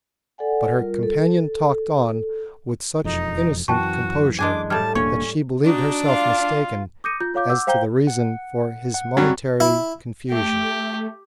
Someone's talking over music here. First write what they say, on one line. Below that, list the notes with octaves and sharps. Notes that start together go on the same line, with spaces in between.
But her companion talked on with such innocent composure that she believed herself mistaken as to the reason for his momentary confusion.
A4 D5 F#5 G#5
G3 F4 A#4
A4
E1 F2 D#4
F#2 E3 F#4 G5 A5 C#6
G#3 D4 G#5 D6
A2 G3 A5 F6 G#6
E1 A#3 C#4 D4 C#5 C#6
D4 D#4 F#4
F4 F5
D6 D#6 G6 A#6 C#7 D#7
F4 G6
F4 C#5 F5 D6 G6
F#5 D6 E6 G6
C5 F5 G5 A#5 G6 G7
F#5
F#5
G2 F#3 C4 F#4
E4
A3 G4